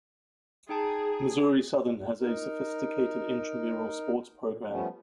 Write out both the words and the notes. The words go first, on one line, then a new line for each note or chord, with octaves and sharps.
Missouri Southern has a sophisticated intramural sports program.
D#4 G#4 G5 A5
D#4 A#4
A#2
F3 G3 A3 B3 C#4